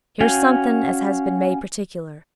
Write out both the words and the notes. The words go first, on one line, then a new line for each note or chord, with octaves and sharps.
Here's somethin' as has been made particular.
C#4 F#4 F5 G5 G#5